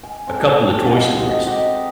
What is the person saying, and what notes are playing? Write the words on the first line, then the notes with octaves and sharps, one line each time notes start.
a couple of Toy Stories
G#5
C4 G#4 A4
D#4 F#4 F5
C5 D#5
G4 D#5 F#5